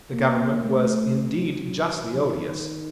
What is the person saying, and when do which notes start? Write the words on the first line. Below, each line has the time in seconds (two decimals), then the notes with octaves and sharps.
The government was indeed justly odious.
0.12 A#3
0.64 A3
1.64 F#3
2.16 D#3